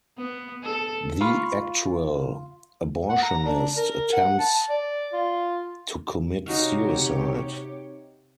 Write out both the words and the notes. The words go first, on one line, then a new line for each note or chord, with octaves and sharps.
The actual abortionist attempts to commit suicide.
B3
A4
F4 F5 B5 C#6
F#5
A#5
D4
A#4
F#5
A5
D5
F4
C3 D#4 F#4 G4 C#5 F5